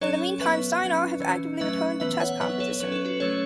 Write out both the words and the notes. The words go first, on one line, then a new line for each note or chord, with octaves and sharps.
In the meantime Sinar has actively returned to chess composition.
F#3 C#4 A4 C#5
F#3 B3 B4 E5
F#3 C#4
E3 C#4
F#3 A3 C#4 B4 E5
E3 B3 B4 E5
C#5 F#5
F#3 B3 B4 E5
A4 C#5
F#3 C#4 B4
A4
F#4 B4
F#3 A3 C#4 A4 C#5